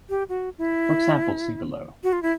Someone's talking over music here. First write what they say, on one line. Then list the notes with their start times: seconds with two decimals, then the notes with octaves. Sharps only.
For examples see below.
0.10 G4
0.29 F#4
0.58 E4
2.04 F#4
2.13 F4
2.23 E4